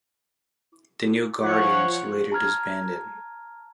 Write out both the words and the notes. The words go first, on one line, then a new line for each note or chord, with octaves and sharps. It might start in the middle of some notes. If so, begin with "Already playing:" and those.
The New Guardians later disbanded.
F3 C#5 F#5
A5 A#5 F6 G#6